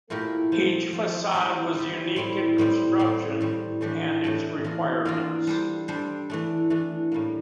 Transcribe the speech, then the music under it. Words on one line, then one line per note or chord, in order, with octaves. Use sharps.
Each facade was unique in construction and its requirements.
A#2 A3 E4 G4 A#4
F3 C4 G4
F3 C4 G4
G3 C4 E4 G4
G3 C4 E4 G4
A2 G3 C4 E4
A2 G3 C4 E4
A2 G3 C4
A2 G3 C4
A2 E3 A3 D4 G4
A2 E3 A3 D4 G4
E3 A#3 D4 F4 A#4
E3 A#3 D4 F4 A#4
G3 D4 A4 C5
G3 D4 A4 C5
E3 A3 D4
E3 A3 D4
A2 G3 A#3